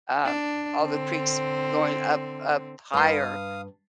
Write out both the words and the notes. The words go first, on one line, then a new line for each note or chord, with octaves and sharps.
um, all the creeks going up up higher,
D4
D3 C4
G2 B4 F5 C6 D#6